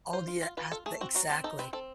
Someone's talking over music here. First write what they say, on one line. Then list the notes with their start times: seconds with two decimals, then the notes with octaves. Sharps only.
Oh, do you ask the exactly.
0.13 F4 C5
0.28 F4
0.42 F4
0.57 F4 B4
0.71 F4 A4
0.86 A3 G#4
1.01 C4 F#4
1.15 F#3 F#4
1.30 C4 G4
1.44 D#4 A4
1.59 C4 B4
1.73 C4 A4